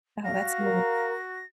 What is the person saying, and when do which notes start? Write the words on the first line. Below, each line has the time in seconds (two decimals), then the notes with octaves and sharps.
Oh, that's neat
0.25 F#4 F5 A#6
0.62 A#4